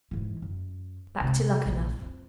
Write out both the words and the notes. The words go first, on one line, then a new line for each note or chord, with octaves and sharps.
"Back to Luckenough."
G#2 E3
F#2
C3 G#3
A#1
F2